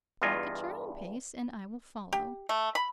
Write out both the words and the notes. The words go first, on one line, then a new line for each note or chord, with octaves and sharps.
Walk at your own pace, and I will follow.
E2 G2 F4 D#5 G#5
G4
A3
B5